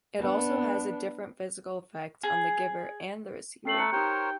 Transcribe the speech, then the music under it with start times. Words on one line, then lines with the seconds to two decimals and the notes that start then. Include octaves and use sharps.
It also has a different physical effect on the giver and the receiver.
0.19 B3 D4
2.23 G#4
3.65 A3 C#4 A4 G5 C7 F#7
3.78 A#5 F#6 C#7
3.92 D#4 G4 A#4 C5 C#5 G5